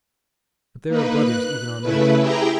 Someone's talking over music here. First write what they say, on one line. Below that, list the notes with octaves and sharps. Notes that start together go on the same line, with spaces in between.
But there are brothers even on earth....
A#3 D#4 B4
F#6
C#3 A3 E4 B4
E4 G4 G#4 G5 A#5